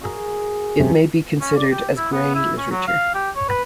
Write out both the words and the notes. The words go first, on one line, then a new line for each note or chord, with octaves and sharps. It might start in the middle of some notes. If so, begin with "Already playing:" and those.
It may be considered as grey literature.
F#4 G#4 A#4
E1 F#2 C3
C#4
D5
G4
E4
B3
E4
C#4
F#3
F5
G4
C#5
B4